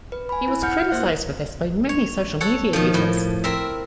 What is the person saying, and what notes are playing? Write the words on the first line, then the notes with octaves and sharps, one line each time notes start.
He was criticised for this by many social media users.
B4
G#5 B5
E4
E4 F#5 F6 G6 C#7
A#3 E4 C5 F#6
C#5
A4 C#5 F#5
D#3 F3
A2
C4 A#4 E5